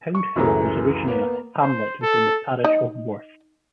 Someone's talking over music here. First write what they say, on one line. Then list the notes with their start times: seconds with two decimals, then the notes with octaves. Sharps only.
Pound Hill was originally a hamlet within the parish of Worth.
0.15 C#6
0.36 C#2 F#2 E3 A3 G#4 A#5
1.08 A#3 B3
1.62 C5
2.02 A4
2.64 D#4 D#5